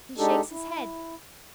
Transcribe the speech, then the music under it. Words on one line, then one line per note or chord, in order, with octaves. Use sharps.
'He shakes his head!
G#3 D4 D#4 G4 A4
E4